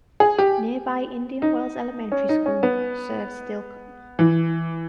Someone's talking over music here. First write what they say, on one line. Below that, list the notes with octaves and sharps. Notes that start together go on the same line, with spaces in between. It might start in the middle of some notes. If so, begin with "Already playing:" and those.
Nearby Indian Wells Elementary School serves Dilkon.
G#4
G4
D#4
C#4
D#4
C#4
B3
E3